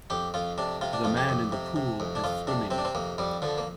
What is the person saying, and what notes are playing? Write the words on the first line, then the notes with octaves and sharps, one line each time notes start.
The man in the pool is swimming.
F2 G4
F2 F4
C3 D4
C3 F4
D4
F2 F4
G4
F2
C3
C3
F2
D4
F2 F4
C3 D4
C3 C4
D4
C4
F2 A#3
F2 G3
D3 F3
A#3